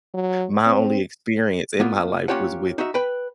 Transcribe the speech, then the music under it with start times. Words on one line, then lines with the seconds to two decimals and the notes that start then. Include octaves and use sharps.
my only experience, in my life, was with
0.14 F#3
0.66 C4
1.80 A#3 B3 F4
2.28 A#3 C#4 F4 G4 C#5 F#5
2.78 D#4 F#4 E5
2.94 B4 G5 B5